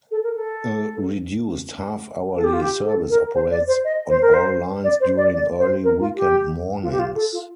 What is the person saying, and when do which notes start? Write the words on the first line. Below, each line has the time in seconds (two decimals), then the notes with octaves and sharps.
A reduced half-hourly service operates on all lines during early weekend mornings.
0.11 A4
0.24 A#4
0.35 A4
2.35 A4
2.44 G4
2.53 F4
2.61 G4
2.85 A4
3.10 A#4
3.34 C5
3.50 D5
3.67 C5
3.84 D#5
4.09 C5
4.22 A#4
4.34 C5
4.84 D5
5.00 C5
5.17 D5
5.33 D5
5.58 C5
5.84 A#4
6.00 F4
6.16 G4
6.83 F4
6.92 G4
6.99 F4
7.15 A4
7.32 F4